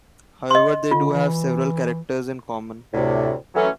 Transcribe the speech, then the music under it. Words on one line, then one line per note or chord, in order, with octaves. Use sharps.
However, they do have several characters in common.
D#5 C6
D3 F4
E3
D2 A2 C3
E3 F#3 A3 C#4